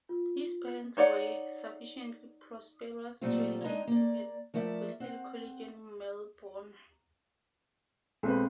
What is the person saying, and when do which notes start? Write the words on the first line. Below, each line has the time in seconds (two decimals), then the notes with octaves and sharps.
His parents were sufficiently prosperous to educate him at Wesley College in Melbourne.
0.09 F4
0.97 D#4 C#5 D5 F#5
3.21 A#2 F#3 G3 A3 C4 F4
3.64 G#3 D4 D#4 D#5 G#5 A#5
3.87 A#3 D5
4.54 F3 A3 A#4 D5 E5
5.00 C4 F#5
8.23 B1 G#3 C4 A4 B4